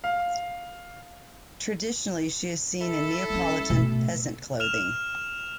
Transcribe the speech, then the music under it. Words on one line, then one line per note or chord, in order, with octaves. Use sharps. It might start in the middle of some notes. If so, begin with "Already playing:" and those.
Traditionally, she is seen in Neapolitan peasant clothing.
F5
E4 A4
G3 C#4
B2 A3
F6 E7 F7